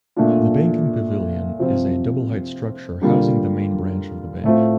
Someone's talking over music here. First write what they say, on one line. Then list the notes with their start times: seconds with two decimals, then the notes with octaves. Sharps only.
The banking pavilion is a double-height structure housing the main branch of the bank.
0.16 A#2 A3 D4 F4
1.59 C3 F3 C4 F4
3.02 D3 G3 A#3 F4
4.44 A2 A3 C4 F4